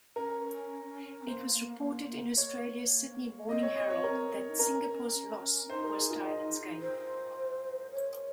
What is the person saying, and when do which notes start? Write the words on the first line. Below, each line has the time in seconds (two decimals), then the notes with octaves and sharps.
It was reported in Australia's Sydney Morning Herald that Singapore's loss was Thailand's gain.
0.16 C#4 A#4
1.27 A#3 C5
2.38 A#3 C#5
3.48 C4 D#5
3.63 C#5
3.76 D#5
3.90 C#5
4.04 A#4
4.49 D#4
4.59 C#4 A#4
5.70 D#4 C5
5.84 A#4
5.98 G#4
6.10 F4
6.25 D#5
6.80 C5
7.91 C#5